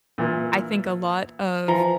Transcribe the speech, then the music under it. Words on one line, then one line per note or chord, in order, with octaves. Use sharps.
I think a lot of
A#2 E3
E3 F3 F4 A#5